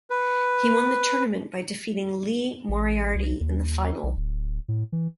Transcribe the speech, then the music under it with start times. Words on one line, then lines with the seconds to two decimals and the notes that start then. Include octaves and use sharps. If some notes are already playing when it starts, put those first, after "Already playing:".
He won the tournament by defeating Lee Moriarty in the final.
0.10 B4
2.69 A1
3.15 C2
3.41 D#2
4.03 B1
4.17 D1
4.68 A2
4.92 E3